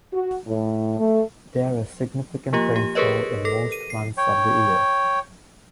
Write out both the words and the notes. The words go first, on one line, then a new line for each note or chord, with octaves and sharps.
There is significant rainfall in most months of the year.
F#4
A2
A3
F3 A#3 F4 G4
G4
G4 G#4 A#4 B4 C#5 D#5
A4 A#6
D#7
C7
C#5 G5